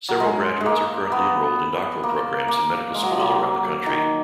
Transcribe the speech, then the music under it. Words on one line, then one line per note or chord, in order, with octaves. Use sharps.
Several graduates are currently enrolled in doctoral programs and medical school around the country.
F#3
G#3
G#3
A#3
B3
A#3
A#3
G#3
F#3
F3
F#3
D#3